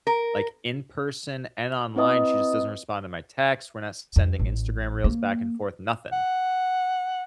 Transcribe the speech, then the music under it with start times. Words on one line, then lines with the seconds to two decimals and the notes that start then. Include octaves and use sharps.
like, in person and online, she just doesn't respond to my texts. We're not sending Instagram reels back and forth, nothing.
0.07 A#4
1.96 C4 E4 B4 D#5 D#6
4.16 F2
4.39 A1
5.04 A#3
6.12 F#5